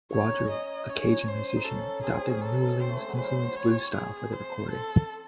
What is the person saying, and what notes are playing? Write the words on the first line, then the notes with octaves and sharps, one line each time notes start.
Guidry, a Cajun musician, adopted a New Orleans-influenced blues style for the recording.
D#4 C#5
C#4
D#4
D#5
C#4 C#5
C5
D#4
C#4 A4
C4 G#4
C4
C#4
D#4 A4
C4 C5
A3
G#3
F#3
E3 C5
C#5
G#4
C5
A4